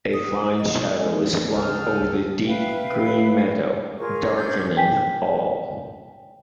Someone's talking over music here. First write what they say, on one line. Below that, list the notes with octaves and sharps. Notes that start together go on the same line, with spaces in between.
A fine shadow was flung over the deep green meadow, darkening all.
D#6
D#5
G#3
D#4
D2 C#3 G#4 A4 G5 D#6 F6
B4 E5 F5 G5
F4 G#4 A#4 C#6
C#4 D4 G6 G#6
G5 G#5 B6